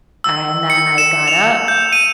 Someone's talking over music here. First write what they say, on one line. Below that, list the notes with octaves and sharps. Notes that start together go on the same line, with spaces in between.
And then I got up,
E6
C#7
E7
F7
G6
D#7